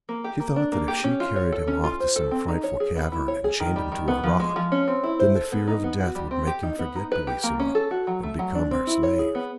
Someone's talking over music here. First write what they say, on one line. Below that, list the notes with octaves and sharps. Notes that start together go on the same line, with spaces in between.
She thought that if she carried him off to some frightful cavern and chained him to a rock, then the fear of death would make him forget Bellissima and become her slave.
A#3
G4
A#3
D4
A#3
G4
C#4
F4
C#5
A4
C#4
F4
C5
A4
C4
D#4
C#5
G#4
B3
E4
C#5
G#4
D#3
G3
D#3
B3
F3
G#3
F3
C#4
C4
E4
C5
A4
B3
D#4
B3
F#4
G3
C4
G4
D#4
B3
D#4
B4
G4
A#3
C#4
A4
F#4
F#3
A3
F#3
D4
C4
E4
C#5
G#4
B3